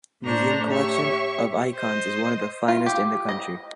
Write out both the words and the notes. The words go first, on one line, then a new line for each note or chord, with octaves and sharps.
Museum collection of icons is one of the finest in the country.
A2 A3 D4 C5 A#5 C#6
G4 C#5 E5 C#6
C5 D#5
F4
G4
D#5